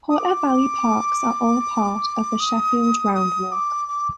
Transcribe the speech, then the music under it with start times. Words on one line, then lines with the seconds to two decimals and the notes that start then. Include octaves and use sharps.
Porter Valley Parks are all part of the Sheffield Round Walk.
0.10 D#6
0.17 D6
2.40 D#6
3.15 D#6
3.52 D6
3.89 D6